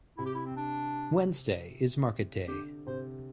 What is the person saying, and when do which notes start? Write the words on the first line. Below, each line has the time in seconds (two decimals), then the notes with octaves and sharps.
Wednesday is market day.
0.17 C3 E4
0.26 G4
0.35 E4
0.46 C4
0.57 D4
2.48 D3 G4
2.86 C3 C5